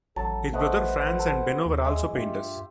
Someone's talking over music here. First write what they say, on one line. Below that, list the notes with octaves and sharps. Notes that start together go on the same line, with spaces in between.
His brothers Franz and Benno were also painters.
A1 F#3 A4 A5
A3 B4 C5 D#5 F#5 A5
A4
D#2
G#3 E5 G#5 E6
G2 F4 G4 E5